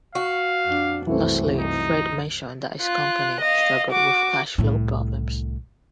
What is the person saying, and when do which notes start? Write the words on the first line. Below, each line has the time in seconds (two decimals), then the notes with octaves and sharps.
Lastly, Fred mentioned that his company struggled with cash flow problems.
0.15 F#4 F5
0.66 F2 D4
1.07 C2 F#2 E3 A3 C4
1.60 D#4
2.82 F4 F#6
3.41 D#5 F5
3.92 F#4 D6
4.58 C2 A2